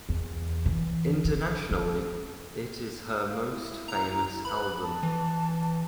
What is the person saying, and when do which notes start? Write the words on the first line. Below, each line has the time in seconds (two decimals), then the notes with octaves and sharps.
Internationally, it is her most famous album.
0.09 E2
0.66 E3
1.25 D#3
1.71 C#4
3.28 F5
3.51 E4
3.88 A#5
4.45 B4 B5
4.82 A5
5.03 E3